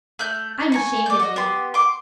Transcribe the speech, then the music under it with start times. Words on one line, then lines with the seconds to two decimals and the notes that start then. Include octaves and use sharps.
I am ashamed of you.
0.19 A3 F#6 G6
0.72 G#5 A#5 C#6
1.06 D5 G6
1.20 F#4 D#5
1.36 B3 G4 C6
1.74 C6 D6